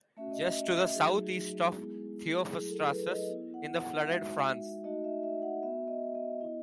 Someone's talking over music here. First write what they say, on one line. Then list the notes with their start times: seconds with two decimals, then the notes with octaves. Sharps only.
Just to the southeast of Theophrastus is the flooded Franz.
0.17 A3 C#4 F#4 E5
0.32 D#5
0.43 E5
0.69 E5
0.94 F#3 A3 D#4 F#4 G#4
1.73 G#3 B3 E4
2.50 F#3 A3 E4 G#4
2.70 A4
2.89 B4
3.09 D#5
3.28 B3 E4
3.54 F#5
3.80 F#5
4.06 G#3 D#4 F#4 E5
4.84 A3 D#4 F#4 D#5
5.04 E5
5.23 E5
5.42 F#5
5.62 B3 F#4 E5
5.88 D#5
6.15 D#5
6.40 B3 E4 D#5